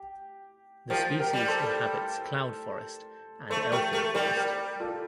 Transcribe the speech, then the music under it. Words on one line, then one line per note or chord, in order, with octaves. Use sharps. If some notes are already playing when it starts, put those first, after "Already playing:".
The species inhabits cloud forest and elfin forest.
Already playing: G4
F3 G4 A#4
G4 A#4
G3
A4 C5
A3 A4 C5
A3 G4 A#4
A3 G4 A#4
G3 G4 A#4
G4 A#4
F4 A4